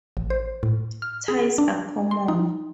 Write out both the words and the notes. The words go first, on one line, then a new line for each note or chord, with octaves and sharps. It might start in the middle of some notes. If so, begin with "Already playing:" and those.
Ties are common.
A1
C5
A2
F6
G#4
D4
C6
D#4